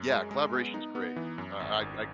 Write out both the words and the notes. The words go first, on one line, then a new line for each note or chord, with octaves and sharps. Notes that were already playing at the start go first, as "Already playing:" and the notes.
Yeah. Collaboration's great. Uh, I I
Already playing: F#2
G#3
G#3
B3
D#4
B3
E3
F#2
G#1
G#1